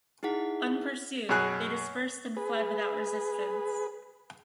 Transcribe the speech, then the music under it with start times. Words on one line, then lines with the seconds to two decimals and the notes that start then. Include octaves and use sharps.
Unpursued, they dispersed and fled without resistance.
0.23 D#4 E4 G#4 F#5 B6
1.29 F#2 B2 G#4 F#6
2.37 G#4 B4